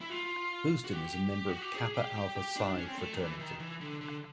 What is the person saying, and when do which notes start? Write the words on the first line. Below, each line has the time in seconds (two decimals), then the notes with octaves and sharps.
Houston is a member of Kappa Alpha Psi fraternity.
0.01 E4
0.10 F4
0.84 F#4
0.93 G4
1.49 F#4
1.62 G4
1.75 G#4
1.95 G4
2.16 G4
2.36 G4
2.56 D4
2.67 D4
2.78 C#4
2.87 C4
2.98 A3
3.13 D#3
3.19 E3
3.39 D#3
3.60 E3
3.81 D3
4.01 D3